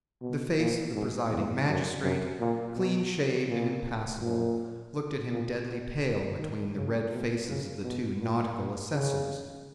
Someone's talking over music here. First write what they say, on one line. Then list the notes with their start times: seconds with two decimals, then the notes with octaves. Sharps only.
The face of the presiding magistrate, clean shaved and impassible, looked at him deadly pale between the red faces of the two nautical assessors.
0.22 B2
0.58 A#2
0.94 G#2
1.30 E2
1.67 F#2
2.03 F#2
2.40 A#2
2.76 B2
3.48 A#2
4.21 A#2
5.30 A#2
5.67 B2
6.39 D#3
6.75 C#3
7.12 B2
7.48 C#3
7.84 B2
8.20 A#2
8.93 C#3